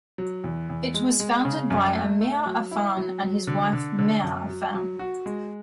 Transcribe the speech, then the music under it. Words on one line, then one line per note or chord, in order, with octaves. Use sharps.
It was founded by Emyr Afan and his wife Mair Afan.
F#3
E2
E2
G#3
G#3
C#3
F#2
A3
A3
F#3
E4
F#3
F#3
D3
D3
D3
F#2
F#3
F#3
F#4
G#3